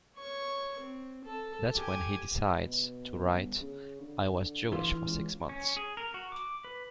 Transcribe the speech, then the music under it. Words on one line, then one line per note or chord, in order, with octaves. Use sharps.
That's when he decides to write, "I Was Jewish for Six Months".
C#5 C#6
C4
A4
G4 G#5
B2
G1
C#3
D3
E3 F4
C#2
C#4
G#4
A#4
F#4
D6
B4